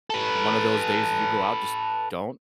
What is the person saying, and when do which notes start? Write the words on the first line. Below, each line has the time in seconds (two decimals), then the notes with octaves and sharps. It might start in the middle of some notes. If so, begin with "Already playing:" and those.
o one of those days that you go out, just don't
0.10 A4 B4